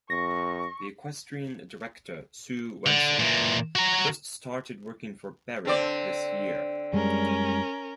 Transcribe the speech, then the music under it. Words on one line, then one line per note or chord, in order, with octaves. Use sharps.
The Equestrian Director, Sue Wentzel, just started working for Barrie this year.
F2 C#6 A#6
D3
A#2 E3
F#4 A#5
D3 C4 D5
F#2 G3 G#3 C#4 A#4